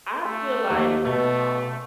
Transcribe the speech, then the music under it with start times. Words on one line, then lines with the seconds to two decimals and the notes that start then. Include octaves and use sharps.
I feel like, uh,
0.22 A3
0.71 D#2
1.05 B2 A3